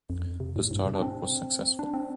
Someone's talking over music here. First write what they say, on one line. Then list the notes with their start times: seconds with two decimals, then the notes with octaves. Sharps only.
The startup was successful.
0.10 F2
0.40 C3
0.56 A2
0.71 G2
0.86 C3
0.95 D4
1.02 C4
1.79 D4
1.94 C4